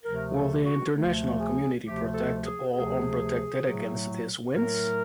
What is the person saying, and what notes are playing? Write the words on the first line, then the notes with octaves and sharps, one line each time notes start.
Will the international community protect all unprotected against these winds?
D2 C3 F3 A3 A#4
A4
F#4
D2 C3 F3 A3
G#4
D2 C3 F3 A3 G4
A4
G#4
D2 C3 F3 A3 G#4
A2 F#3 A3
A2 F#3 A3 A#4